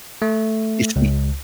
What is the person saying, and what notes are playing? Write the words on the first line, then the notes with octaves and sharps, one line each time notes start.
you see
A3
C#2